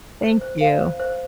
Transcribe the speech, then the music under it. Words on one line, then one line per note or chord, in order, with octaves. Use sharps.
Thank you.
C5
C5
F5
C5
C5